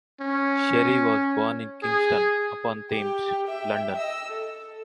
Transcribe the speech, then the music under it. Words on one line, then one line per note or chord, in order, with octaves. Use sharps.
Sherry was born in Kingston upon Thames, London.
C#4
G#4
G4 G5
E5 G5
D#5 E6
A4